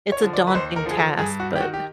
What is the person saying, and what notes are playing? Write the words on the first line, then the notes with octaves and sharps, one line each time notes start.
it's a daunting task, but
C#5
D3 F3
D5
B4
D#2 C5
A#4
D3 F3 G#4
A4
G2 G#4
F#4
D#3
G4
F#4
G4